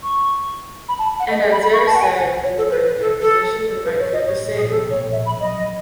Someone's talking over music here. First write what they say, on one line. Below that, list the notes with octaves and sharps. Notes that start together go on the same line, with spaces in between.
And I daresay if we were in their position we might feel the same!
C#6
B5
A5
F#5
D#5
D#5
B5
B5
C#6
A5
F#5
G#5
F#5
C#5
A4
B4
B4
A4
A4
B4
C#5
D#5
C#5
G#4
A4
C#5
E5
B5
D#5